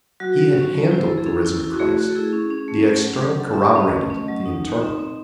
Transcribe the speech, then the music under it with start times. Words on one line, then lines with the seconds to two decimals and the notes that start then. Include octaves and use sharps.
He had handled the Risen Christ, the external corroborated the internal.
0.20 F#3 F#4
0.38 F#3
0.55 C#4
0.73 F#3
0.84 A4
0.91 E4 C5
1.08 E4 A4
1.18 G#4
1.26 C#4 A4
1.45 E4
1.63 E4
1.70 F#4
1.79 A3 G#4
1.97 A3 F#4
2.10 A4
2.15 E4 G#4
2.33 C#4
2.50 C#4
2.68 A3
2.87 C#4
3.04 F#3
3.22 F#3
3.40 F#3 A4
3.53 E5
3.58 C#4
3.67 E5
3.76 C#4 D#5
3.92 A3
4.10 C#4
4.28 F#3
4.46 D#4
4.64 D#4
4.81 C4
4.99 C4